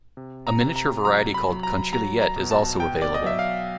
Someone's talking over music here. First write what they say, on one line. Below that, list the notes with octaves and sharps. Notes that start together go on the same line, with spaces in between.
A miniature variety called "conchigliette" is also available.
C3
A#5
C3
A#5
F#3 A#5
B5
F#3
A#5
F#3 A#5
A#5
B2
A5
B2 G5
D5
D#5
F#3 E5
F5